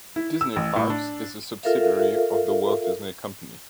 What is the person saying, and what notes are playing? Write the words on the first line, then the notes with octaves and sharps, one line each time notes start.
Disney Parks is a subsidiary of The Walt Disney Company.
E4
E6
A1
A2
D4
F4 A4 A#4 E5 F5